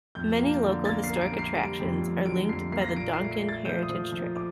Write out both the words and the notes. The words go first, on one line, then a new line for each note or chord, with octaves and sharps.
Many local historic attractions are linked by the "Donkin Heritage Trail".
F2 G6
A#3
D3
A#3 A6
C7
A#3
D7
A#3
C7
G3 D7
F2
F2
D3 D7
F2 C7
A#3 C7
A#6
C7
A#2 D7
C7
A3
D7
C7
A3
A6
F3 G6
D#6
F3
F3
D6